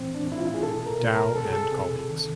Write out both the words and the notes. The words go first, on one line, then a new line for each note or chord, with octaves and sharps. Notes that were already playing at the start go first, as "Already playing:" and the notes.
Dow and colleagues.
Already playing: A2 E3 C4
D4
A2
E4
F4
G#4
B2 A4
A#4
B2
A#4
C3 A4
G#4
A4
C3
D#3